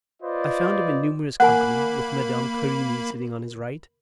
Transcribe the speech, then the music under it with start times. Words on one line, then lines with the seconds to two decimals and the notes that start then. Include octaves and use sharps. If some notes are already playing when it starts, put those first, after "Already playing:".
I found him in numerous company, with Madame Querini sitting on his right.
0.22 F4 B4 C5 D5 D#5
1.40 A#3 A#4 F#5 G#5 B5 F#6